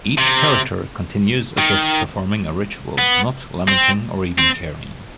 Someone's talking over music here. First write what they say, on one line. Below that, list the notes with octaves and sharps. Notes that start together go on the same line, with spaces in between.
Each character continues as if performing a ritual, not lamenting or even caring.
C3
D#3
B3
C4
C4